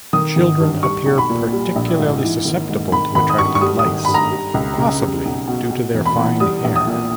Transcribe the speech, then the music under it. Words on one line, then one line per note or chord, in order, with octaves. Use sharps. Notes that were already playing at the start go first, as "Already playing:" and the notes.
Children appear particularly susceptible to attracting lice, possibly due to their fine hair.
D#3 D#6
G#1
G2
G3 C#6
B1
B5
A#2
G3
A#1
G#2
E3
G#1
G#2
D#3 B5
G#1 B5
D#6
G2 C#6
C#6
G3 D#6
D#6
G#1
G2 B5
A#5
G3
C#2
C#3
G3
B1
B2
B2
E1
B5
E2
G3 D#6
A#1
D#6
A#2